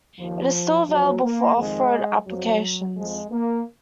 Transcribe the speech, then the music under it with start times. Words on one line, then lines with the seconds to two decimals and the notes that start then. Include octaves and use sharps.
It is still available for off-road applications.
0.19 D#2 D#3 F3
0.89 F2 F3 F#3
1.23 A#3
1.58 F2 D#3 G#3
2.27 F2 F3 F#3
2.96 F2 F3 G#3
3.31 A#3